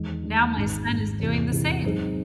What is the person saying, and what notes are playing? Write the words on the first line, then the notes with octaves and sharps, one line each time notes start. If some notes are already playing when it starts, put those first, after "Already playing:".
now my son is doing the same,
Already playing: E2 D#3 G#3
E2 D#3 G#3
G#1 G#2 D#3 G#3
G#1 G#2 D#3 G#3
E2 C3 E3
E2 C3 E3
G#2 F#3 C4 D#4 G#4